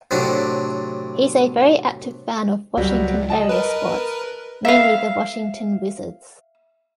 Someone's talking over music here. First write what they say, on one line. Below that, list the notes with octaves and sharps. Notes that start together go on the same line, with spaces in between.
He's a very active fan of Washington area sports, mainly the Washington Wizards.
A2 C3 F#3 D4
C#2 F#3 G3 F#4
D#5 A5
A#4 B4
E5 F5